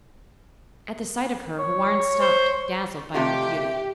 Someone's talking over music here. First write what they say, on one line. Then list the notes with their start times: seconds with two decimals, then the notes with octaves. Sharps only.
At the sight of her Houarn stopped, dazzled by her beauty.
1.59 C#5
2.20 C5
3.14 C3 A3 F4 G4 D#5 E5